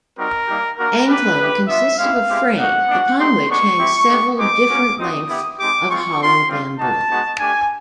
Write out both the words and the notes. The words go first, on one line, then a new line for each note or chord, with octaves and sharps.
Angklung consists of a frame upon which hang several different lengths of hollow bamboo.
G3 C4 D#4 F#4 A#4
G3 A#3 D#4 G4
A#3 D4 F#4 A#4
A#3 D4 G4 B4
B3 E4 G4
B3 D4 F4 E5
G#3 C#4 E4 G4 F5
G#3 C4 E4 G4
A#3 D#4 F#4 F#5
B3 D4 F#4
A3 C4 D#4 G4 C6
G#3 B3 D4 C#6
C4 E4 G4
A3 D4 G4
G#3 C4 D#4 G4 D6
A#3 C#4 F#4
C4 D#4 F#4 D#6
B3 E4 G4
G#3 C4 D#4 G4 D6
G#3 C4 F4 C#6
C4 F4 C6
G3 C4 F4
A#3 D#4 F#4 A5
G#3 B3 D#4 F#4
A3 D4 G4 G#5